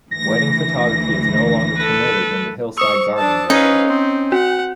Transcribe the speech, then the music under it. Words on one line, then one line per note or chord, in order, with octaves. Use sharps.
Wedding photography is no longer permitted in the hillside gardens area.
D2 E3 A#6
A4 B4
C5 C#6 D#6 E6
D4 A5
C#4 D#4 B4 F5
C4
F#4 F#5